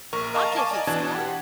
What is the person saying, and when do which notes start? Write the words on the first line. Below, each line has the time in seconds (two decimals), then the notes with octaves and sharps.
I can't keep score.
0.13 A#1 A#4 C#6
0.34 A#4 D#5 F5 A5 A#5 C#6
0.57 G#5 A5 C#6 D6
0.71 D5 D#5 G#5
0.87 B2 E3 D4 A5 G#6
1.15 G4 F#5